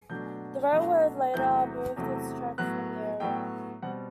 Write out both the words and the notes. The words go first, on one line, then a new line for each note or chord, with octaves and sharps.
The railroad later removed its tracks from the area.
B2 F#3 A3 D4 G6
B2 F#3 A3 D4
E2 C3 F#3 A3 E4 G6
E2 C3 F#3 A3 E4
A2 F#3 B3 F#6
A2 F#3 B3 G5
B2 G3 C4 F#5